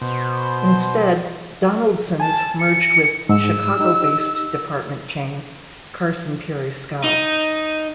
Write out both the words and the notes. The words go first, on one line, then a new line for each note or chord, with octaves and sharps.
Instead, Donaldson's merged with Chicago-based department chain Carson Pirie Scott.
B2 C5
G#5 A5
C#7
G#2 E6
D#4 G4
D#4